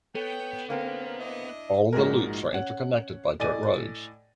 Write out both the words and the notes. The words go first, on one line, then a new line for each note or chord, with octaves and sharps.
All of the loops are interconnected by dirt roads.
B3 A4 C#5 G5
D3 A#3 C4 C#4 A#4
D4 E4 D#5
A#1 G#2 D#4 F#4 G#4 A#4
C#4 F#5
A2 D5 D#5 G#5 D#7